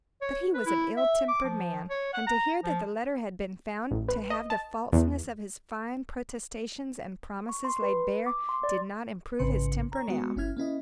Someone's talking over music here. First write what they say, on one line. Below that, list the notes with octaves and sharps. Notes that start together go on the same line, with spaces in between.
But he was an ill-tempered man; and to hear that the letter had been found to have the falseness of his fine protestations and promises laid bare, did not improve his temper now.
C#5
B4
E4
E5
D6
F3
C#5
F#5
A#5
F3
A1
B4
D#5
A5
E2
C#6
C6
B4
D6
C6
D5
A1 G#2 C#3 B4 C6 C#7
C#5 A#5
G#3 B3 F#4
G1 C#4 E4 F6 G#6
A#3 C#4 E4 D#5